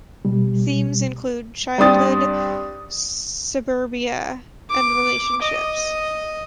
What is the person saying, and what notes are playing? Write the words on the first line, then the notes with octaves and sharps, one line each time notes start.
Themes include childhood, suburbia and relationships.
B2 G3
G2 C4 D4 D#6 A6
D6
D#5